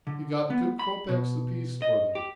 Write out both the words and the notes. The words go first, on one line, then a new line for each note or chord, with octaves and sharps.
He got two kopeks apiece for them.
D3
B3
B5
B2
D#5
G4